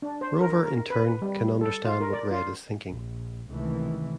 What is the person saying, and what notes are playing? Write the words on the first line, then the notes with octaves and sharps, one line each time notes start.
Rover, in turn, can understand what Red is thinking.
D4
C5
A#4
A#4
B4
G3
A4
F4
A#4
D5
F4
A#1
C#2 C3 D#3 E3 A3